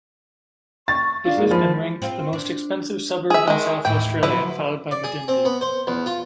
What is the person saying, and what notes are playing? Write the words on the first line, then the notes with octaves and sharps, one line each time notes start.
It has been ranked the most expensive suburb in South Australia, followed by Medindie.
C#6 A6
D4 F4 F5
G#2 G#3 A#3
F3 B5
C4 F4
D4
G#4 E5
D#3 G#3
D#2 A2 E3 G5
D3 F3 F#3 E4 B4
D5
G#4
C4
B3
C5
E2
F4